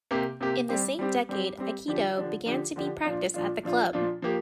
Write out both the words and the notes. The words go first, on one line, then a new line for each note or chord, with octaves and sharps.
In the same decade aikido began to be practiced at the club.
C3 A#3 G4
C3 A#3 G4
G3 C4 G4
G3 C4 G4
G3 C4 G4
G3 C4 G4
D3 F3 D4 G4
D3 F3 D4 G4
D3 F3 D4 G4
D3 F3 D4 G4
A#2 F3 D4 F4
A#2 F3 D4 F4
A#2 F3 D4 F4
A#2 F3 D4 F4
F3 A#3 G4